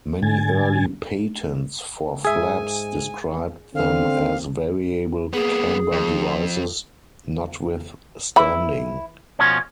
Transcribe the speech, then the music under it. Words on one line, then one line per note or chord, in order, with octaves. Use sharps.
Many early patents for flaps described them as variable camber devices notwithstanding.
G#2 D3 G#5 G#6 A6
G#2 G#4 E5 G#5
D3 C4 F5
A#3 B3 G#4
F2
E3 E4 B5
B2 F3 C#4